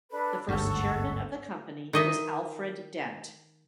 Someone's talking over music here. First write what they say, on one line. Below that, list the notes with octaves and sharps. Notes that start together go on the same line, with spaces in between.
The first chairman of the company was Alfred Dent.
D4 A4 B4
G1 D2 G#2 A4 F#5 C#6
D#3 D#5 E5